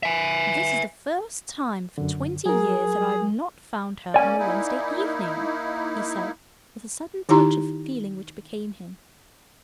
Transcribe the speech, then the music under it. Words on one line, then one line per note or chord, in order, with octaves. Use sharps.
"This is the first time for twenty years that I have not found her on a Wednesday evening," he said, with a sudden touch of feeling which became him.
E5 G#5
F#2 D3
F#3 G#4 A#4
A#3 C#4 D5 G#5
A#3 D#4 E4
D#3 D#4 E4 G4 A#5 C6